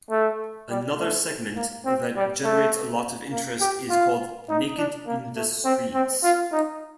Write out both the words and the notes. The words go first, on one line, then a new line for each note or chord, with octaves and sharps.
Another segment that generates a lot of interest is called Naked In The Streets.
A3
G3
A3
A#3
C4
G3
A3
A#3
G4
F4
D#4
D4
A#3
A3
C4
C4
F4
D#4